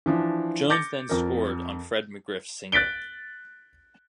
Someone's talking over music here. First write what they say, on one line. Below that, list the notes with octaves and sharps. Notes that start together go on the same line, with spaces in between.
Jones then scored on Fred McGriff's single.
E3 F3 D4
D6 G6 A6 A#6 C#7
F2 A#4
F#6 A6 B6 D7 G7